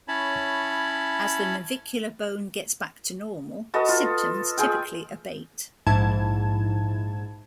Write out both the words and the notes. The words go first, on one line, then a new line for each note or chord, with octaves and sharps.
As the navicular bone gets back to normal, symptoms typically abate.
C#4 E4 C#5 A5 B5
F#4 A4 B4 D#5
F4
F4 G#4 G5
A#1 G#2 E4 A5 G#6